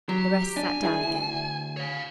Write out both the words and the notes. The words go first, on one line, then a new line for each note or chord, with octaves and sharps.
The rest sat down again.
F#3 G4
D4 G#5
G2 E4 G#4
D2
C#5 F5